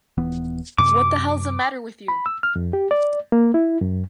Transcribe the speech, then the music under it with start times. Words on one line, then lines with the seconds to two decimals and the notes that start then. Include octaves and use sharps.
What the hell's the matter with you?
0.17 D#1 E3 B3
0.78 F#2 C3 D6
2.08 B5
2.26 E6
2.43 F6
2.56 F2
2.73 G4
2.91 D5
3.32 A#3
3.54 E4
3.81 F#2